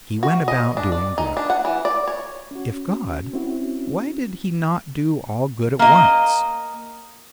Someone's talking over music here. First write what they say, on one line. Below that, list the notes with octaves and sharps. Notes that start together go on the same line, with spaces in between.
He went about doing good: if God, why did he not do all good at once?
F#4
D#5
D4
D5
D#4
D4
F#5
E3
D5
C#5
C#4 F#4
C4 C#4 E4 F#4
A#3 D#5